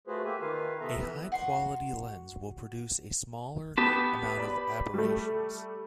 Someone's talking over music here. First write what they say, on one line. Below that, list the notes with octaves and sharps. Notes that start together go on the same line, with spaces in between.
A high quality lens will produce a smaller amount of aberrations.
A3 F4 F#4 G#4 B4 C5
A#3 G4 E5 G#5
D#3 F4 A#4 B4 F5 G#5
C3 B3 A4 E5 A#5
E3 B3 B4
F#4 C6
B3 G4 B4 A5
D5 B5
G3 A3